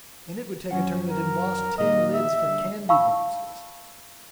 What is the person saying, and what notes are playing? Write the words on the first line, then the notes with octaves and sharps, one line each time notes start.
Then it would take a turn at embossed tin lids for candy boxes.
F#2 F#3 C#4 F#5
A#4
A#2 D#3 A#3 D#5
E5
D3 G3
F5 A5 B5 C#6 E6